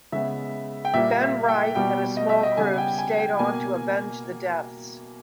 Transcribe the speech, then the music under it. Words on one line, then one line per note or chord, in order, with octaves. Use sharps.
Ben Wright and a small group stayed on to avenge the deaths.
C#3 G#3 B3 E5
G5
A#2 G3 A#3 E5
E5
G5
B2 G3 B3 G5
D#5
E5
D#5
C#3 G3 B3 G#5
G5
G#5
G5
B2 A#3 G#5